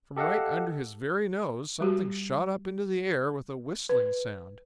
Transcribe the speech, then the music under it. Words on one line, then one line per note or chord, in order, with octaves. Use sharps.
From right under his very nose something shot up into the air with a whistling sound.
G4 A4 D#5 F5 F#5
G3 F#4 G4
B4